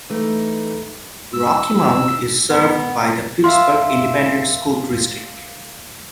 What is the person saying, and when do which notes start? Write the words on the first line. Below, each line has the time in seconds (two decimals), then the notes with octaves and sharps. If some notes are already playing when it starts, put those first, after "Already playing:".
Rocky Mound is served by the Pittsburg Independent School District.
0.10 E3 A3 D#4
1.34 E6
2.49 B3
3.44 A#3 F4 E5 C6